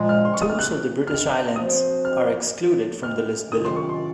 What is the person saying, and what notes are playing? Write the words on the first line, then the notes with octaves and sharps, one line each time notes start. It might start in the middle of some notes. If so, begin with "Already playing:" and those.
Tours of the British Islands are excluded from the list below.
Already playing: A#2 F3 G#3
F6
C6
C#6
D#6
F6
F#6
F6
F3 C4 F#4 C5 D#6
F6
F6
C3 D#3 F#3 C#4 F4 D#6
C6
C#6
C6